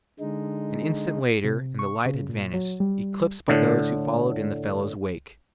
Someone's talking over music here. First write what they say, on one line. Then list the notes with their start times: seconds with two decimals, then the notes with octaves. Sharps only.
An instant later and the light had vanished, eclipsed by those who followed in the fellow's wake.
0.20 D3 G#3 D#4
1.44 C3
1.79 C#6
2.06 C#3
2.29 A#2
2.53 F#3
2.80 G3
3.48 A2 D3